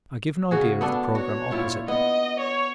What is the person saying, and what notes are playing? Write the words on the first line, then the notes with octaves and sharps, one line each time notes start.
I give an idea of the programme opposite.
C#3 F#4 G#4
B3 D4 A4
F#4 C#5
A#2 E4 F4
B3 D#5
C#5